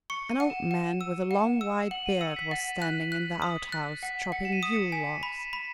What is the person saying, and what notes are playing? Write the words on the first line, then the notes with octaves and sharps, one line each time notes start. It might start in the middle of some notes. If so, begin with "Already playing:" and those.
An old man with a long white beard was standing in the outhouse, chopping Yule logs.
C#6 C#7
D#7
F#5
E7
F#5
E6
F#5
E6
F#5 F#7
D#7
E6 C#7
B6
F#5 A6
F#6
F#6
D#6
F#6 A6
F#5 B6
F#5 C#7
E7
D#7
D#6
C#7
G#5 B6
B5
B5